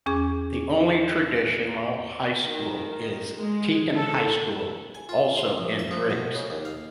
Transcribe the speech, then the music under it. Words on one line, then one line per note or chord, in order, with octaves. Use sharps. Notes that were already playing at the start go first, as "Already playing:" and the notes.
The only traditional high school is Teton High School, also in Driggs.
E2 C#4 G#4 D6
D#3
G#3
A4
G#5
F4
C6
A#1
E5
F3
B2
C#3
D#2
F5